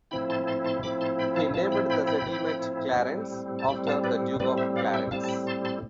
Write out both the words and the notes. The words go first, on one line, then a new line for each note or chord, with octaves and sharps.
He named the settlement Clarence, after the Duke of Clarence.
A2 F3 C4 E4 G5 B5
A5 C6
A5 C6
A5 C6
A2 F3 C4 E4 B5 D6
A5 C6
G5 B5
F5 A5
A2 F3 C4 E4 F5 A5
G5 B5
G5 B5
G5 B5
A2 F3 C4 E4
A2 G3 C4
A5
A2 G3 C4 G5 B5
F5 A5
B4 D5
A2 G3 C4 B4 D5
C5 E5
D5 F5
E5 G5
A2 G3 C4 F5 A5
A5
G5 B5
A5 C6
A5 C6